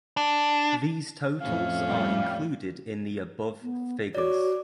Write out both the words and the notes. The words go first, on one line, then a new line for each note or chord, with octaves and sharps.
These totals are included in the above figures.
D4
F2 A2 C#4 F5
G3
B3
F#4 C#5 D5 D6